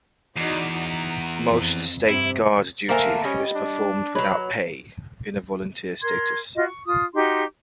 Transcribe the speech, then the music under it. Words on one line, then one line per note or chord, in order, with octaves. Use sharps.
Most State Guard duty is performed without pay, in a volunteer status.
E2 D#4 F#4 D5
A#5
F2
G2 C3 E4
D3 A3 A#3 A#4 C5 F#5 G#5
G3 C#4 D#5
D4
F#3 B4 C#5 D#5
A#4 C6 G#6
F4 F#4 D#5
C#6
F4 D#6
D#4 F#4 G4 C6